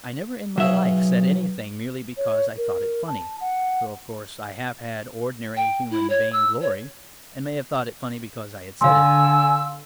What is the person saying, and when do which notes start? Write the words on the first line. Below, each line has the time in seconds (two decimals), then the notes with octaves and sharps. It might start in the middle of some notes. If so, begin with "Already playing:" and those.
I never in my life said anything merely because I thought it funny; though of course, I have had ordinary human vainglory, and may have thought it funny because I had said it.
0.58 B1 C#3 F#3 G#4 E5
2.17 C#5
2.58 A#4
3.08 A5
3.41 F#5
5.56 G5
5.90 E4
6.10 C#5
6.32 E6
6.62 C#5
8.81 D3 F5 G#5 C6 E6